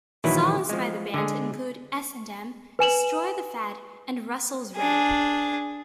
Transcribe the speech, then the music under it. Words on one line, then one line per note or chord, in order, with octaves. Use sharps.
Songs by the band include "S and M", "Destroy The Fad" and "Russell's Ramp".
A#1 D#3 E3 F#3 E4 B4
F3 G#3
D3 G#3 G#4
B4 G#5 E7 F#7
D4 G#4